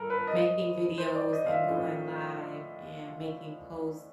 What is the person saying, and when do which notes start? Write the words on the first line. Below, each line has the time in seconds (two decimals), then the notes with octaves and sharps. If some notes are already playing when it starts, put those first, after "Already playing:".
making videos and going live and making posts
Already playing: G2 A4 A#4
0.10 B4
0.27 D#5
0.98 C5
1.15 D5
1.33 D#5
1.46 F5
1.50 E5
1.68 A2 F3 A3 C#4